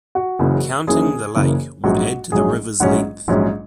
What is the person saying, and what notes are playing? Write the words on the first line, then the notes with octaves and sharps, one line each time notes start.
Counting the lake would add to the river's length.
F#4
F#1 F#2 C#3 E3 A#3
F#1 F#2 C#3 E3 A#3 G#4
F#1 F#2 C#3 E3 A#3
A#1 G#2 F#3 C#4 F#4
A#1 G#2 F#3 C#4 G#4
A#1 G#2 F#3 C#4 F#5
A#1 G#2 F#3 C#4